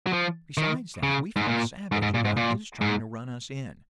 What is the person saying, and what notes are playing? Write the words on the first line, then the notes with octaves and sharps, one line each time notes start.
Besides that, we felt savage about his trying to run us in.
F#3
F3
D#3
C#3
G#2
A#2
G#2
G#2
A#2
G#2
A#2
G#2